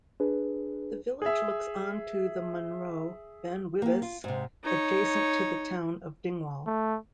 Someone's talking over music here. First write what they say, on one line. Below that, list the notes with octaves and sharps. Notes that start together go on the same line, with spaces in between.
The village looks onto the munro Ben Wyvis, adjacent to the town of Dingwall.
D4 G#4 B4
G#4 E5
A#3 G4
F4
G#2 C3
D#4 C#5
A3